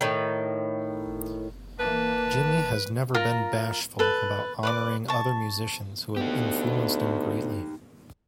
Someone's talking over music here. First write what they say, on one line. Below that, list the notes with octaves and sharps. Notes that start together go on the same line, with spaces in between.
Jimmy has never been bashful about honoring other musicians who have influenced him greatly.
A2 D#3
E3 A#3 B4 A5
F4 A#4 A#5
A4 B4
B4 D5 D6
A5 C#6
D2 B3 D#4 G4